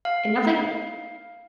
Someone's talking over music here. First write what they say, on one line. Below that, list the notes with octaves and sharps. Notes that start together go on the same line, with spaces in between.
And that's like
F5